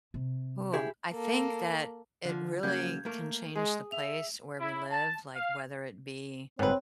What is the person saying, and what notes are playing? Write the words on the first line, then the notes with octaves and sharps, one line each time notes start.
Ooh, I think that it really can change the place where we live, like, whether it be
C3
E4 G4 G#4
A#3 A4
D3 F3
C#3 F#3 A#3 G6 G#6
A3 A#3 A#4
G#3 G#4
E5 F7
E4
A5
F5
G1 G#2 B3 C4 B4 C#5